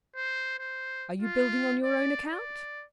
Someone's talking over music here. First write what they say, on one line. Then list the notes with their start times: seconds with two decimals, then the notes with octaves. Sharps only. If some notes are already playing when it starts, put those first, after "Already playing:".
'Are you building on your own account?
0.16 C5
0.59 C5
1.22 F4
1.84 D5
2.32 D5